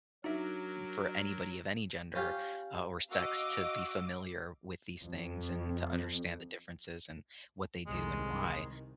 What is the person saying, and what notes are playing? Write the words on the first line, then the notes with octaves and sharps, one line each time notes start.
for anybody of any gender, uh, or sex to be familiar with these things and to understand the differences and what they do and why.
F#3 D4 D#4 F#4 A#4 E5
C#4 F4 G4
F#4 D#5 F5 D6 E6
F2
C2 D#3 G#3